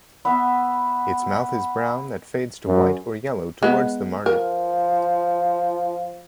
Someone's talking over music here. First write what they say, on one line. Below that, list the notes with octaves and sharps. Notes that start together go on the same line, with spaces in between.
Its mouth is brown that fades to white or yellow towards the margin.
B3 B4 E5
F#2
G#3 B3
F3 A#4